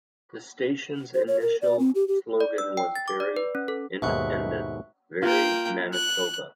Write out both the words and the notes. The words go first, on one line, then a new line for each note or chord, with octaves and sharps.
The station's initial slogan was Very independent, very Manitoba!
C5
C#5
A#4
D5
C4
G4
G4
D5
E6
G5
A6
D6
D5
B4
C#4
A4
D#2 G#2 B2 E5 C#6 F#6
A#3 F4 G5
F#6